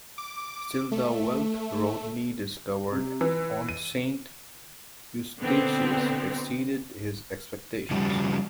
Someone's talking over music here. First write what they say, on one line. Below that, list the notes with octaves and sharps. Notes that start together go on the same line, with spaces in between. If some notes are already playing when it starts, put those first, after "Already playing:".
Still, the wealth Rodney discovered on Saint Eustatius exceeded his expectations.
D6
A3
C3
E3
D#7
B2 D3 B3 C4
C#3 F3 G3